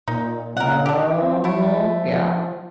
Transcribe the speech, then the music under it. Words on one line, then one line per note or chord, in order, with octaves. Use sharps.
Oh yeah.
A#2 D#4
A#4 F#5
D4 G4
C4
F3 A3 E4